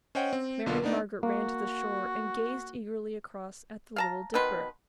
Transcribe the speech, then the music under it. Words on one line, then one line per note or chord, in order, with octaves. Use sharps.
Mary Margaret ran to the shore and gazed eagerly across at the Little Dipper.
C#4 C5 C#5 D#5 F#5 G5
C4
B1 D3 B3 F4
A#3 B3 D4 D#4 D5
A#3 F#4
F5 A5 A#5
B2 D#3 B4 C6